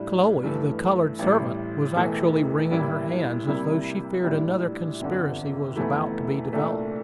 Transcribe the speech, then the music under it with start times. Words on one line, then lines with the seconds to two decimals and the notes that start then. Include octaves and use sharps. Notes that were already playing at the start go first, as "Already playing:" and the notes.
Chloe, the colored servant, was actually wringing her hands, as though she feared another conspiracy was about to be developed.
Already playing: A2 G3 D4
0.43 G2 E3 A3
1.19 A1 A2 G3
1.96 E1 E2 E3 A3
2.71 A1 A2 G3 A#3 E4
3.47 C2 C3 G3 A#3 E4
4.23 A#1 A2 G3 D4
5.00 G1 F2 D3
5.76 F1 E2 E3 A3 E4
6.52 C2 A#2 A3 D4